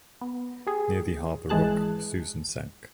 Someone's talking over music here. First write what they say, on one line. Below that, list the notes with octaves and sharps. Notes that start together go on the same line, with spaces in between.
Near the Harbour Rock "Susan" sank.
B3
G4 G#4
G#1 E3 G#3 G#4 A5 F#6